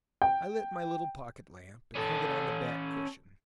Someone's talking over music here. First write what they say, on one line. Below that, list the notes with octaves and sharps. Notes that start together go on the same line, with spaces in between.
I lit my little pocket-lamp and hung it on the back cushion.
G5
C#4 A4